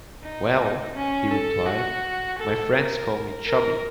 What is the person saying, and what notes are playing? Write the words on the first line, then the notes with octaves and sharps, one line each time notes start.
"Well", he replied, "my friends call me 'Chubby'".
D#4
C#4
A4
F#4
A4
A#4
A#4